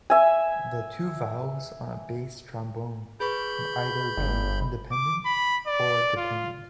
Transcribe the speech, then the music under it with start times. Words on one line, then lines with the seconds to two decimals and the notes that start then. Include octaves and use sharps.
The two valves on a bass trombone can either be independent or dependent.
0.10 E5 G#5
3.20 G#4 B4 B5 C#6 G6
4.17 G1
4.92 D6
5.25 B5
5.67 D5
6.17 F4